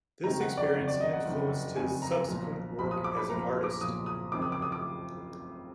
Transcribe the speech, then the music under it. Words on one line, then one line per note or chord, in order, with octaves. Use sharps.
This experience influenced his subsequent work as an artist.
F#1 F2 D#3 A#5
F#5
D5
F#1 F2 D#3 D5
D5
D#5
F#5
F#1 F2 D#3
F#1 F2 D#3 G#5
A#5
B1 A#2 F3
B1 A#2 F3 B5
D#6
D6
B5
B1 A#2 F3 A#5
D6
B1 A#2 F3 D#6
D#6
F#1 F2 D#3 D6
D#6
D6
D#6
D6